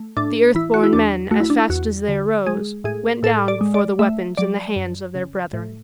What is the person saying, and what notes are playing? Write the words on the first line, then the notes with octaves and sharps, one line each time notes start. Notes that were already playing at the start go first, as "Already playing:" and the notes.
The Earth-born Men, as fast as they arose, went down before the weapons in the hands of their brethren.
Already playing: A3
A2 D4
E3 E4
F#4
E4
E2 D4
A3 F#4
E4
D4
E4
E2 F#4
D3
G#3 G#4
A2 G#4
A2 A4
D5
G#3
D5
A3 E5
F#3 D5
F#2
C#3
A2